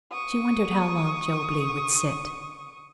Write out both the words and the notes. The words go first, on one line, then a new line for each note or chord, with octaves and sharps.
She wondered how long Job Legh would sit.
C#6 D#6